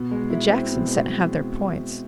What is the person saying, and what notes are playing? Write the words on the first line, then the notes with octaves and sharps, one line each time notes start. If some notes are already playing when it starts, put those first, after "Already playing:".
"The Jackson set have their points."
Already playing: B2
G#3
E4
C4
B2
G#3